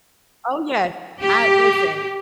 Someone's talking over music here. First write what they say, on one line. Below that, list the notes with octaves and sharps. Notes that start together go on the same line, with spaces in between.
Oh, yes. I listen,
G4